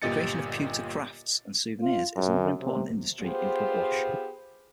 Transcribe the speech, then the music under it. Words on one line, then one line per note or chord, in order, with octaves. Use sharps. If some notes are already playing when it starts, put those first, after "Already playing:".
The creation of pewter crafts and souvenirs is another important industry in Pugwash.
G1 A#2 G4 D#5 A6 C#7
F4
F#2
C3
B3 F4 G4 G#4 C5